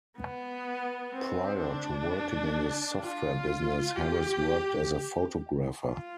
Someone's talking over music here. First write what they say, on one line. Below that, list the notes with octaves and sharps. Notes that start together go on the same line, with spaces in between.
Prior to working in the software business, Harris worked as a photographer.
B3
C4
D4
F4
G4
F4